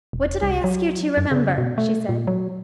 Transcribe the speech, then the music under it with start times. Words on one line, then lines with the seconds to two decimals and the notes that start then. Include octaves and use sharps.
"What did I ask you to remember?" she said.
0.13 E1
0.42 C2
0.64 F#3
1.17 F#2
1.31 C#3
1.58 B2
1.78 A3
2.09 A#2
2.27 F#3